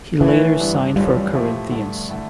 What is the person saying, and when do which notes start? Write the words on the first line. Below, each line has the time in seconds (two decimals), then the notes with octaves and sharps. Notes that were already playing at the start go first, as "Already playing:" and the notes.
He later signed for Corinthians.
0.20 D3 E3 A3 C#4
0.59 G2 D3 G3 D4
0.96 F2 E3 G3 A3 C#4 F4
1.07 F3
1.15 G3
1.33 A#2 F3 A3 E4 G4
1.71 G2 D3 A3
2.09 D3 A3 E4